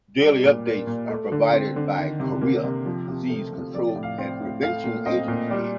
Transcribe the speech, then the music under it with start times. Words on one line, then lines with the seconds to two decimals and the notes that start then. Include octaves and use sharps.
Daily updates are provided by Korea Disease Control and Prevention Agency.
0.21 G3 D5
0.44 A#2
0.66 A#3
0.87 A#2
1.10 A3
1.32 D3
1.53 C4
1.76 D3
1.98 D#3
2.20 C3
2.41 A#3
2.64 C3
2.86 F3
3.08 C3
3.30 A3
3.52 C3
3.74 F3 D5
3.95 A2
4.03 F5
4.18 C4
4.40 A2
4.62 A3 F5
4.84 A#2
5.06 C4 D#5
5.28 A#2
5.50 G3 D5